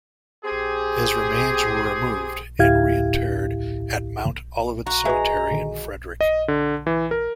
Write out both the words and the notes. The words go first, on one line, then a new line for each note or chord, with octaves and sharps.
His remains were removed and re-interred at Mount Olivet Cemetery in Frederick.
C4 G4 G#4
D2 A2 E4 G4 F5 G#6
F#4 A#5
G#3 F#4 B4 E5
A#2 D3 D#3
D#5
D3
E3
A#4